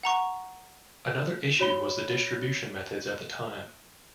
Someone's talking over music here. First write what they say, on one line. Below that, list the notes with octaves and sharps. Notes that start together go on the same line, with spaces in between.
Another issue was the distribution methods at the time.
F#5 A#5 C#6
F#4 C#5 B5 G7